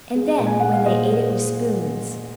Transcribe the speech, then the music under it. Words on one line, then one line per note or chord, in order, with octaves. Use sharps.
And then when they ate it with spoons!
G#3
A#2
G#5
G#3 F#5
F5
A#2 C5 D#5